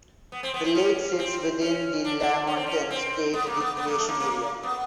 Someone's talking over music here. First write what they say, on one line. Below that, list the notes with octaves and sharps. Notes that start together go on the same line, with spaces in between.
The lake sits within the Lahontan State Recreation Area.
B3
C4
B3
C4
C#4
C4
C#4
D4
D4
C#4
C4
C#4
C4
B3
A#3
B3
B3
A#3
A3
A#3
A#3
B3